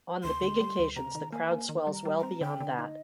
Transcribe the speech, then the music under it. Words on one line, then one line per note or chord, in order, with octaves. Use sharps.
On the big occasions the crowd swells well beyond that.
D2 C6
D3
G3
D2
C3 A#5
D#3
A#3 G#5
A#3
D#3
G3
A#5
G3
A#5
C4
D3 G5
D3
D#4 D#5